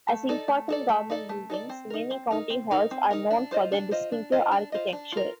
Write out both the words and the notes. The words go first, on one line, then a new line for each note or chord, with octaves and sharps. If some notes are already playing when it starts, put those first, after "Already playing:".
As important government buildings, many county halls are known for their distinctive architecture.
A3
D#4 A4 D5
A3
D#4 A4 D5
A3
D#4 A4 D5
A3
D#4 A4 D5
C4
D#4 A#4
C4
D#4 A#4
C4
D#4 A#4
C4
D#4 A#4
D4
F4 C5 D#5
D4
F4 C5 D#5
D4
F4 C5 D#5
D4
F4 C5 D#5
D4
F4 A#4